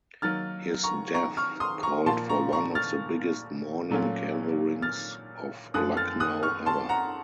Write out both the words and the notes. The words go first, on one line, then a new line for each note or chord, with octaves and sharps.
His death called for one of the biggest mourning gatherings of Lucknow ever.
D#3 F#3 A#3 F6 A6
A#5 C#6
A#5 C#6
C#6 F6
C6 D#6
A#5 C#6
A#2 F3 A#3 F4 A5 C6
A#5 C#6
A#5 C#6
F6 A6
A#2 F#3 A3 C#4 F4
F6 A6
F#2 F3 A3 C#4 D#6 F#6
F6 A6
D#6 F#6
C#6 F6
A5 C6
F#5 A#5